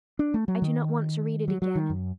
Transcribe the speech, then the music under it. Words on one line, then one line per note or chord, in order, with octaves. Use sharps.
I do not want to read it again.
D4
A3
F#3
D#3
F#3
F#3
D#3
F#2